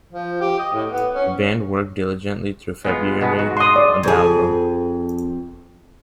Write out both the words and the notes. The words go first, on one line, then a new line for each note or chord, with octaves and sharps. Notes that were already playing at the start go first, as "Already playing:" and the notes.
The band worked diligently through February on the album.
F3
G4
D#5
A2
B3
C#4
G#3 B3 F4
B2 G#3 B3
G#2 F#4
C6 D#6
D5
F2 G#4